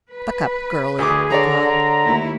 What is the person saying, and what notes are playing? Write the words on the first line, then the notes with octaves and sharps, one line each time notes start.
"Buck up, girlie!" he growled.
B4
D2 G#4 D6
D3 G#4 C#5 D5 A#5
D#2 A3 E4